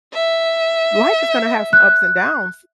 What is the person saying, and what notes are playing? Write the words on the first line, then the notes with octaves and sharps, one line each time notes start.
w life is gonna have some ups and downs."
E5
F#6